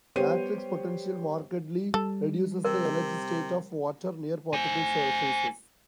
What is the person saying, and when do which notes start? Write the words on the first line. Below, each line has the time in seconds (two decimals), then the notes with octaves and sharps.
Matrix potential markedly reduces the energy state of water near particle surfaces.
0.16 G3 B3 G4 C5 C#5 D#7
1.94 G3 A4
2.65 C3 A#4
4.53 C5 G#5